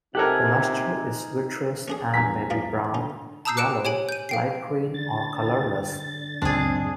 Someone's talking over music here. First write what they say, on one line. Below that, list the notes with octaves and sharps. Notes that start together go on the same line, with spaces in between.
The luster is vitreous and may be brown, yellow, light green or colorless.
C3 D#4 G4 A4 A#4 F#5 G#5
C#4 D4 G#4
E2 G2 G#5 A#5 B6
F3 F4 D5
D3 D#4
A5 A#5 D#6 E6 G6 C7
D6 F#6 C#7 D7 E7
G4 C#5 G#5 D7 F#7
G6 D#7
F5 G5 C7
D3 A6
F#1 C#2 A2 C4 D4 G#4